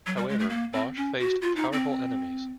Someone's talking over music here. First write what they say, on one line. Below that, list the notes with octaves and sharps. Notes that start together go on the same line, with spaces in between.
However, Bosch faced powerful enemies.
F#3
G3
G#3
A3
A#3
C4
C#4
F#4
F4
D#4
C4